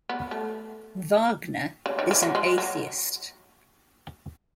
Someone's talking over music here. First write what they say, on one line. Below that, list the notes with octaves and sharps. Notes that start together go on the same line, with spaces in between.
Wagner is an atheist.
B3
A3
C#3
D#3
E3
F#3
G#3
F#3